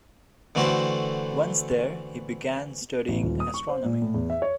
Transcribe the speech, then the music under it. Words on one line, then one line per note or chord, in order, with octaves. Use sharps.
Once there he began studying astronomy.
D3 E3 A3 F#4 G4 C5
A1
D#1
D#6
C#6
C5
A#2
A2
E2
E5
C#5